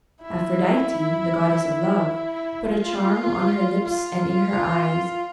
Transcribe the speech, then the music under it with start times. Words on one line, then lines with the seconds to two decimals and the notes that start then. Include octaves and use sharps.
Aphrodite, the goddess of love, put a charm on her lips and in her eyes.
0.22 E4
2.64 F4
3.84 F4